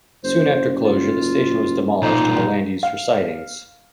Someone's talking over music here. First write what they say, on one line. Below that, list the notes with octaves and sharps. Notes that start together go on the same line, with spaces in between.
Soon after closure the station was demolished and the land used for sidings.
F#1 C5
F4
B1 A#2 D#4
F5